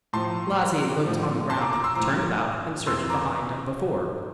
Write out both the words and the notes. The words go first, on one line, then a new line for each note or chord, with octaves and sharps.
Blasi looked on the ground, turned about, and searched behind and before.
A2 F3 A5 C6
A2 F3
A5 C6
A#5 D6
A#5 D6
C6 E6
A2 F3 A#5 D6
F2 E3 C6 E6
A#5 D6